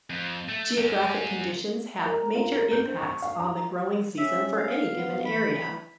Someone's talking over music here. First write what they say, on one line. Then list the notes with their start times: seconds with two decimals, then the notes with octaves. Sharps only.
Geographic conditions have major impacts on the growing season for any given area.
0.10 F2
0.49 A3
0.78 F#3 C#4
2.05 A#4
2.35 F4
2.52 A#4
2.72 G6
2.85 C4
3.01 C#6
3.22 F5
3.40 A#5
4.18 C#4 E5
4.57 F5
4.93 B3
5.25 E3 B5